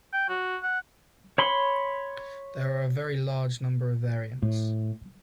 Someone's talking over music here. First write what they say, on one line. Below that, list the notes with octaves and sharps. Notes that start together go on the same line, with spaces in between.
There are a very large number of variants.
G5
F#4
F#5
C#5 B5 C6
A2